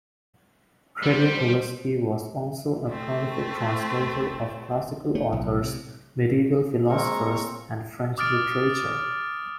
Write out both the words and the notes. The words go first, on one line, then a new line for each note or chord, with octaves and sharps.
Trediakovsky was also a prolific translator of classical authors, medieval philosophers, and French literature.
G3 C5
A3 C4
A3
B1
C3
G#3 A#3 C4 A#4 A#5 C#6
D6 D#6 F6 A6 D7